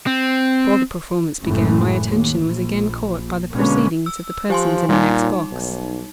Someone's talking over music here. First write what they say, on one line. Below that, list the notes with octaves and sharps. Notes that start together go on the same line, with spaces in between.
Before the performance began, my attention was again caught by the proceedings of the persons in the next box.
C4
F#1 F#2 A2 E3 G#3 A3
D#2
A#1
B2 D3 G#3 A#3 B3 C#4
E6
F3 G4 G#5 C6
A#2 G3 D#4
B1